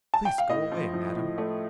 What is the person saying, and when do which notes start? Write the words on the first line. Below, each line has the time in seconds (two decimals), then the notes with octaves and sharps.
"Please go away, madam!"
0.14 A5
0.25 G5
0.38 F5
0.50 A2 D#5
0.72 F3
0.93 F3
1.16 A2
1.38 A3